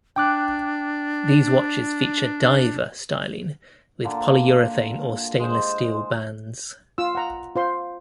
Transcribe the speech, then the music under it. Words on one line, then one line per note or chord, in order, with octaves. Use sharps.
These watches feature "diver" styling with polyurethane or stainless steel bands.
D4 G5 D6 F#6
A#2 D3 D5
G#3 C5
F4 E6
F#5 A#5
F4 C5 C6